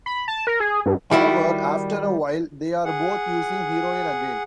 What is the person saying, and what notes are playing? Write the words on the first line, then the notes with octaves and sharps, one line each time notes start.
However, after a while they are both using heroin again.
B5
A5
A#4
G#4
G2
D#3 G3 E4 F#4
G#4 F#5